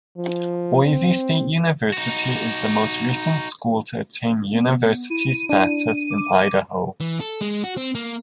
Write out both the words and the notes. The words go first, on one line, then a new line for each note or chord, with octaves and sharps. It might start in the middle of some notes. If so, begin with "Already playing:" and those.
Boise State University is the most recent school to attain university status in Idaho.
F3
C4
D#4 F#4
B3
E4 D#7
D4
D6
E3
A4
G#3
F#4
C4
A#3